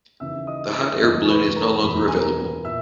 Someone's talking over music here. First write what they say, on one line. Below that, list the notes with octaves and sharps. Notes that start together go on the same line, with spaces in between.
The hot air balloon is no longer available.
D#2 C#3 E3 E5 E6
D#5 D#6
E5 E6
E6
E1 E2 C#3 G#3 B3 D#5 D#6
C#6
B4 B5
A#4 A#5
E2 B2 F#3 A#3 B5
A#5
G#5
A#4 A#5
A#2 E5 E6